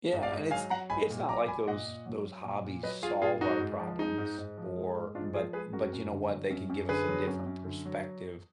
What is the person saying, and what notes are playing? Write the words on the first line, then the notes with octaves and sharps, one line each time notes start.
Yeah, and it's it's not like those those hobbies solve our problems or but but you know what, they can give us a different perspective
G#2
D5 F5
G#2
F#3 F5 G#5
F#3 F#5 A#5
G#2 G#5 B5
A#2
F#3 A#5 D6
F#3 G#5 B5
A#2 D#5 F#5
A#2
F#3
F#3
A#2
A#2
F#3 B4 D#5
F#3 F4 G#4
A#2 F4 G#4
G#2 D#4 F#4
G#2
F3
G#3 D#4
G#2
G#2
F3
G#3
G#2
G#2 D4 F4
F3 F4 G#4
G#3 G#4 B4
F#2 F#4 A#4
F#2
D3
F#3
F#2
F#2
D3 G#4 B4
F#3
F#2
F#2
D3
F#3